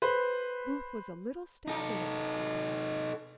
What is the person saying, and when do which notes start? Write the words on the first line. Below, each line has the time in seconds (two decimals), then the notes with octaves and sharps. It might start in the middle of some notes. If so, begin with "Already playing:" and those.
Booth was a little staggered at this defence.
0.02 B4 C5 B5
1.68 D#4 A4